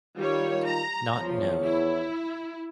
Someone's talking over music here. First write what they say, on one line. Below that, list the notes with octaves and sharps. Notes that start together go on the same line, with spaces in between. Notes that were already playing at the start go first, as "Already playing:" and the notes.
Not known.
D#3 G3 F4 C#5
A#5
E2 F3 C#5
E4